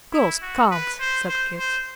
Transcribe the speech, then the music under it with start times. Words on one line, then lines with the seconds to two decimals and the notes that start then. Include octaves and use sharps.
"Girls can't," said Kit.
0.13 E4
0.42 F#4
0.71 B4
1.00 C5
1.29 C5
1.58 C5